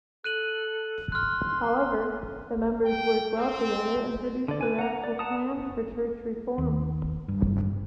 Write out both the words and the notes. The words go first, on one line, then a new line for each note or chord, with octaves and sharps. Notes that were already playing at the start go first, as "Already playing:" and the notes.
However, the members worked well together and produced a radical plan for church reform.
A4 F#6 D#7 F#7
C6 F6 F#6
G5
C4
D3 D5
B4 G#5
F#5 A#5
D5
F#5 A5 A#5 D#6
D#2
G2